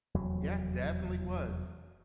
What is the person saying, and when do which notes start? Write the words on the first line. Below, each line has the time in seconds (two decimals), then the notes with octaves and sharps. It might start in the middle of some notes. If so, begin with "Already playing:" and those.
Yeah, it definitely was.
0.15 F1 E2 F#3